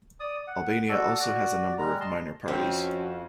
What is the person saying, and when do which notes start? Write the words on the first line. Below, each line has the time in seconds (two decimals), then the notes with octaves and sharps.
Albania also has a number of minor parties.
0.20 D5 D#6
0.47 F#5
0.89 F#4 A4 D5
1.19 F#4 D5
1.78 G3 G#3 A#5
2.00 D#5 A5 C6
2.48 F2 C4 C#4 F#4